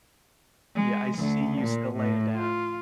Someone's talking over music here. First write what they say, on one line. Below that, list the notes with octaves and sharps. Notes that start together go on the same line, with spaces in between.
Yeah, "I see you still laying down."
G#3
D2
A#2
A2
F4